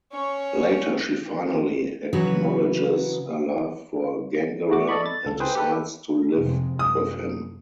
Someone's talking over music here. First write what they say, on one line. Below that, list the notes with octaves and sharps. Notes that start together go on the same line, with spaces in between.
Later she finally acknowledges her love for Gangaram and decides to live with him.
C#4 C#5
C#3 E3 F#3 F#4 B4
A3 F#4 D6
A4 D5 D#5 B5 C#6
A6
C#2 A4
G#4 B4 C5 G5
G4 A4 B4
F2 C3 G#3
F#2 D#6